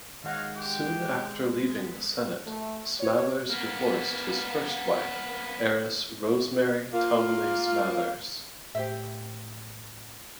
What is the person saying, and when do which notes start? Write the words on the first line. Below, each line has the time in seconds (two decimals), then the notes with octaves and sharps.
Soon after leaving the Senate, Smathers divorced his first wife, heiress Rosemary Townley Smathers.
0.24 D#3 G#3 D#4 C#5 F5 F#5
0.56 G4 G5 D6
1.75 B3
2.46 A3
3.00 C#5
3.50 A#3 B3
6.92 A#3 F4
8.75 A2 G4 C5 E5